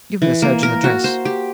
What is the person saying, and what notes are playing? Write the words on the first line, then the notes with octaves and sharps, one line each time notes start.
Give me the surgeon's address.
E3
A#3
A#4
F#4
C5
G4